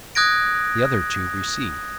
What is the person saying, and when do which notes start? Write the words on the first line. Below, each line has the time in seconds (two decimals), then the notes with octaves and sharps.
The other two receive.
0.15 D#6 F#6 G#6 A#6 D7